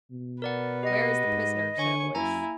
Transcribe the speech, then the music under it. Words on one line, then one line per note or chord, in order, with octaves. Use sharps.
"Where is the prisoner?" said a voice.
B2
A#4 B4 D5 F#5
G4 D#5 F#5
G#2
D3 C#5 G#5 C#6
F#2 A#3 E4 G#5 A#5